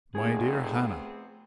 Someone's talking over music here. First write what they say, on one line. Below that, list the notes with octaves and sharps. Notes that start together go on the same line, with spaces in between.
"My dear Hannah!"
F1 C3 A3 B3 C4 G#4